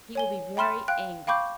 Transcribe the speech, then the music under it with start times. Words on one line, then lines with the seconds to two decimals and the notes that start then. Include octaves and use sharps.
"He will be very angry."
0.15 C#5 G#5 G7
0.57 G5 B5 C6 F6 E7
0.88 F5 G5 F#6
1.27 F5 G5 B5 C#6 D6 G6